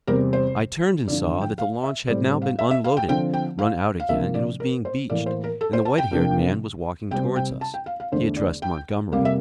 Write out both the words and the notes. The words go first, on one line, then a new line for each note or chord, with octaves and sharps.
I turned and saw that the launch had now been unloaded, run out again, and was being beached, and the white-haired man was walking towards us. He addressed Montgomery.
E2 C3 G3 C4 A#4
C5
G2 D3 F3 D5
G5
F5
E5
A2 G3 C4 D5
F5
E5
E5
F5
G5
D3 F3 C4 G5
G5
F5
F5
C3 F3 A#3 D4 E5
D5
A#4
C5
A2 E3 A#3 D5
C5
A#4
A4
C5
A5
G5
C3 F3 A#3 D4
C3 G3 C4 G5
G5
A5
G5
F5
F5
E2 D3 A3 D4 C5
D5
G5
F2 C3 G3 A#3 F5
E5